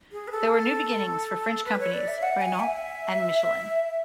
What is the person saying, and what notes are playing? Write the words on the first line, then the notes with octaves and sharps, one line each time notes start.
There were new beginnings for French companies Renault and Michelin.
G#4
B4
A4
B4
C#5
D5
E5
F#5
G#5
E5